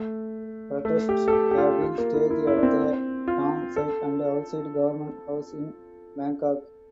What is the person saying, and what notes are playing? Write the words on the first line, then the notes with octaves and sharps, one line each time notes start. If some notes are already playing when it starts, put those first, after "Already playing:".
Protests have been staged at the dam site and outside Government House in Bangkok.
Already playing: A3
A3
G4
A4
G4
G4
F4
F4
A#3
E4
E4
E4
D4
C4
F4
A4